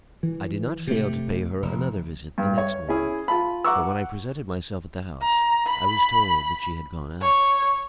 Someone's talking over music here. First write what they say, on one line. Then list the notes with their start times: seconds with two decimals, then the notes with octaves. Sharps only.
I did not fail to pay her another visit the next morning, but when I presented myself at the house I was told that she had gone out.
0.23 E3
0.87 C3 A3
1.62 F1
2.38 G2
2.58 C#5
2.89 C#4 E4 G#4
3.28 F4 A5 B5
3.65 F#5 A#5 C#6 D6 E6
5.22 A#5
5.66 B5
7.21 C#5